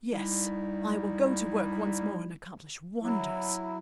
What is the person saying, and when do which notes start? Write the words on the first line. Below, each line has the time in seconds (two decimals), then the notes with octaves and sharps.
Yes, I will go to work once more and accomplish wonders.
0.11 G3 D#4 E4
3.02 F#3 E4